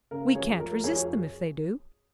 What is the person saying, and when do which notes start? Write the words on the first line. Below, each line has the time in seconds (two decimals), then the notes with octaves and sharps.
We can't resist them, if they do.
0.11 C#3 A#4
0.35 F2 G#4 C#5
0.59 F2 A#4
0.72 A#4
0.84 F2 G#4 C#5
0.96 G#4 C#5